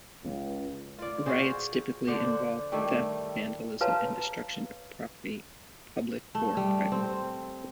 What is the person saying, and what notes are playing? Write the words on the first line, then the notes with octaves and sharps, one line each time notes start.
Riots typically involve theft, vandalism, and destruction of property, public or private.
C#2
F4 D5
F4 F#4 G#4 C5
D3 D4 C5 F#5
D#3 G3 A3 E4
F#4 B4 C#5 F5 A5 A#5
A3
G3
C4